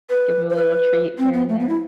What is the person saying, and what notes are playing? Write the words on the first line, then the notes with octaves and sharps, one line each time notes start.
Give him a little treat here and there.
B4
C5
B4
C4
B3
A3
B3
E4